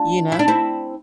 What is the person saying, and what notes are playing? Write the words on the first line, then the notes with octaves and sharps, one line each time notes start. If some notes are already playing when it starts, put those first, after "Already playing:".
you know?
Already playing: D4 F4
E4
D4
C4 E4